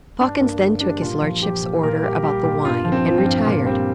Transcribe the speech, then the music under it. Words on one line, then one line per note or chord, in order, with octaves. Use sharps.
Pawkins then took his lordship's orders about the wine and retired.
G2 D4
G2 A#3
D3
G3 D4
A#2 F4
F3
F3 G4
A#2
A#2 A#4
G3 G4
G3 G4
A#2 G4
G2 F4
F3
C4
F3
C4
G2
A#2
G3 C4